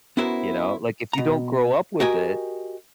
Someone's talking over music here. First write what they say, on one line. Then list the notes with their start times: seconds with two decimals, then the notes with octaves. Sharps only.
you know? Like, if you don’t grow up with it,
0.17 B3 C#4 E4 F#4 A#4 C5
1.13 B2 A#5
2.00 F#4 G4 A#4 D#5 G5 G#5